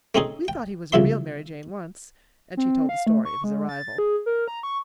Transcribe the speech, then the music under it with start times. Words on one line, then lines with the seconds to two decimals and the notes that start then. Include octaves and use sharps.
"We thought he was a real Mary Jane, once." And she told the story of his arrival.
0.15 A3 C4 C#4 D#4 G#4
0.48 G5
0.92 C2 C#3 F3 E5 C6
2.57 C4
2.89 F5
3.07 A3
3.25 C#6
3.44 G#3
3.69 A6
3.98 G#4
4.26 A#4
4.48 A#5
4.63 C#6